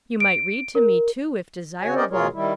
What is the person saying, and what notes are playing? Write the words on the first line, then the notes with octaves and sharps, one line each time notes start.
You might read to me, too, if desirable.
D7
A#4
C#3 F#4 C#5 G#5
C#4 G4 A#4 C5 D5 D#5
D2 B2 F4 G#4 A#4 C#5
D#3 G3 E4